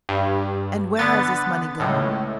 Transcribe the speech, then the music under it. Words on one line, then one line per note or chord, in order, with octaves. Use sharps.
"And where has this money gone?"
G2
D3 B3 A6
C#2 A2